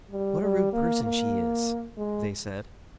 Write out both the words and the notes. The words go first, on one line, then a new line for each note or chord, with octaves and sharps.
"What a rude person she is!" they said.
G3
G3
A#3
A#3
G#3